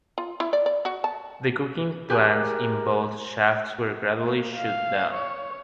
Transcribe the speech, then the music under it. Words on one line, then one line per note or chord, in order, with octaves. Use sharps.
The coking plants in both shafts were gradually shut down.
F4
E4
D5
D5
F#4
A5
G4 G#4 A#4 G#5 F#6
A#3
F5
C#5